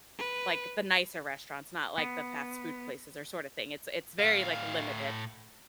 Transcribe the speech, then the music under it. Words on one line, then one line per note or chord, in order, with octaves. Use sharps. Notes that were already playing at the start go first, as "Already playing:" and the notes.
like the nicer restaurants, not like the fast food places or sort of thing, it's it's very like limited,
B4
B3
A2 F5